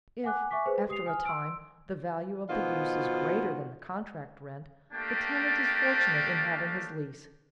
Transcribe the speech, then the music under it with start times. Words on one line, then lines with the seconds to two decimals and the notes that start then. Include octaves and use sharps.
If, after a time, the value of the use is greater than the contract rent, the tenant is fortunate in having his lease.
0.24 F#5 G#5 D6 F#6
0.51 E5 G#5 C#6 D6 B6
0.66 G#4 B4 C5
0.89 G4 D#6 C7 F7
1.06 G#5 D#6 F6
1.25 C6 E6 D7
2.49 B2 D#3 F3 F4 F#4 D#5
4.92 A3 A#3 D4 G4 G5 A5